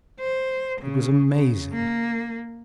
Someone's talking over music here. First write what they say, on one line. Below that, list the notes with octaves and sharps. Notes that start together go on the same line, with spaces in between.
It was amazing.
C5
C#3
C#3
A#3